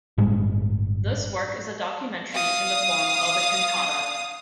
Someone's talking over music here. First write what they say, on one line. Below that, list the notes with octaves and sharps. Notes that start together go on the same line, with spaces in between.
This work is a documentary in the form of a cantata.
G1 A2 G3 G#3
F5 D#6